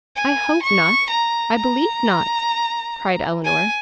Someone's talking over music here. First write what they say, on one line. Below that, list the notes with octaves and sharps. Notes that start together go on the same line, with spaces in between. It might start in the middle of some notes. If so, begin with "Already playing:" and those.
"I hope not, I believe not," cried Elinor.
G#5
C#6
A#5
A#5
G#5